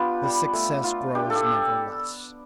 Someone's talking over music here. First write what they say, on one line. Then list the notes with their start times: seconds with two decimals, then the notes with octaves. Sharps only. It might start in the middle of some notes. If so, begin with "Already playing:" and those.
The success grows never less.
Already playing: B3 D4 F4 G4
0.23 G3
0.53 A3
0.84 F4
1.15 D4 G4
1.30 A4
1.35 G4